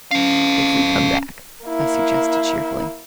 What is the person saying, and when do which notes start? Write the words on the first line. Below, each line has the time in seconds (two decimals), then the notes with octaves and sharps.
"If we come back," I suggested cheerfully.
0.11 C#4 A4 F5
1.65 A#3 E4